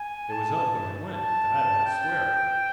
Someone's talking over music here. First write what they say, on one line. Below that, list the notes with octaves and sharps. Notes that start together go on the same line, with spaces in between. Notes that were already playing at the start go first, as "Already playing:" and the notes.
'It was up when I went, that I'll swear.
Already playing: G#5
A5
A5
G5